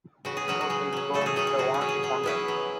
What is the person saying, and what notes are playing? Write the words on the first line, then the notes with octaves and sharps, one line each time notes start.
Its motto is "God, The Only Founder".
C#3 F#4
G#4
F#3 C#4 F#4
F#4
C#3 G#4
F#3 C#4
C#3 A3 A4
F#4 G#4
F#3 C#4 G#4
G#4
C#3 F#4
G#4
F#3 C#4
G#4
F#3 G#4
B3 C#4 E4 B4
F#3